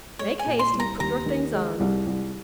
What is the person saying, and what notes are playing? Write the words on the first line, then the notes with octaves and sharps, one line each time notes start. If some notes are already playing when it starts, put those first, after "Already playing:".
Make haste and put your things on.'
G#3 C#5
G#5
A#2
C6
C2
A#5
D#2 A#5
D#3
G#3
C2
C2